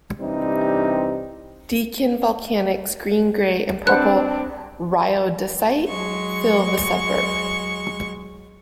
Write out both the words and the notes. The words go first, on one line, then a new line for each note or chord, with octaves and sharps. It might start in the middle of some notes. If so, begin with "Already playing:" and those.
Deakin Volcanics green-grey and purple rhyodacite fill the suburb.
C3 E3 G3 C4 D4 D#4
C4 D4 B4 C5 F#5 F#6
F#3 G#3 C#6